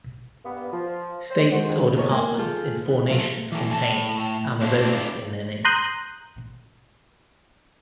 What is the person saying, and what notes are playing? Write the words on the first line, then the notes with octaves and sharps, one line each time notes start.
States or departments in four nations contain "Amazonas" in their names.
G2 A#3 B3
F3
C5
D#3 G#3 F#4 C5
F2
E2 A#2 D#4 F#4 C#5 D#5
A#3 A#4 G#5
F4 G#4 A4 G5
E3 B3
F3 F#3 F4 A4 E5
E3 A3
A2 G#5 A5
C4 D4 E4 F4
A#5 C6 D#6 F#6 G6